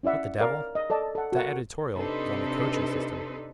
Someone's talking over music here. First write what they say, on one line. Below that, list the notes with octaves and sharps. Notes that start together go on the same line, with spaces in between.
"What the devil--that editorial was on the coaching system."
C#4 E4 D5 E5 F#5
A#4 C#5 D5 F5
D#5
A4 D5 D#5 A5
A4 F#5
F#4 A#4 F#5
C3 D4 D#4 A4 B4 C5